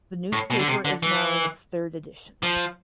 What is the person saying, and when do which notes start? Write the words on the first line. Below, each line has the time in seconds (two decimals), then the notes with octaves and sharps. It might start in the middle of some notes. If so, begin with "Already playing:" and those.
The newspaper is now in its third edition.
0.33 A2
0.50 B2
0.59 D3
0.68 C3
0.85 D3
1.03 E3
2.43 F3